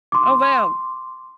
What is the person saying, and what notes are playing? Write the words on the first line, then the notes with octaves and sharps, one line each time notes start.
Oh wow.
C6 D6